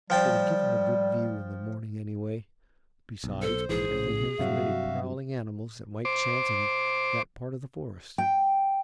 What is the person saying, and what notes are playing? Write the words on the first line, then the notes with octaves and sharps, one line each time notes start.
It would give him a good view in the morning anyway, besides protecting him from any prowling animals that might chance in that part of the forest.
F3 G3 G5 A5
B1
A4 C5
A#1 G#2 E3 G#4
A#1 A2 C#3
G2 C3 F#3 F#4 E5 F5
C5 D6
G5